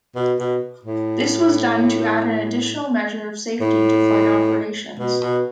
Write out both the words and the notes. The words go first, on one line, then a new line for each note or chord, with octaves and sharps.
This was done to add an additional measure of safety to flight operations.
B2
B2
A2
A2
B2
B2